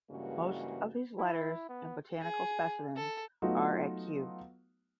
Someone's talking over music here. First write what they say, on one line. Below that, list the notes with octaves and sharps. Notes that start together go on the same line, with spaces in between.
Most of his letters and botanical specimens are at Kew.
G2 C#3 E3 G#3 A#3 F#4
E4
B3
G#4
A4
F#3 A3 B3 D#4 F4 F#4